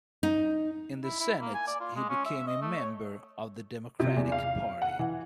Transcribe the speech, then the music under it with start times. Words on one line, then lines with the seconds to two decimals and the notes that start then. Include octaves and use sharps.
In the Senate he became a member of the Democratic Party.
0.23 D#4
1.04 E4
1.20 E4
1.41 A#3
1.54 G#5
1.67 D5
1.81 F4
1.96 G#3
2.09 C#4
2.25 E5
2.47 D#5
2.61 A3
2.77 C#5
4.00 C3
4.16 E2
4.32 F5
4.82 F#5
4.99 E3